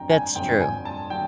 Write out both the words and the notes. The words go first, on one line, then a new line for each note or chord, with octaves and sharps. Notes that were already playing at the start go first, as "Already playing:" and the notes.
That's true.
Already playing: G1 F2 D3 F#3 G5 A#5
G#5
G1 F2 D3 F#3 G5
G#5
A5
D3 F#3 G5